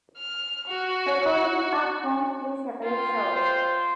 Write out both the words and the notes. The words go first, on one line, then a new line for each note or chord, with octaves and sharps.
Recordings are from three separate shows.
F6
F#4
F4 G5
C5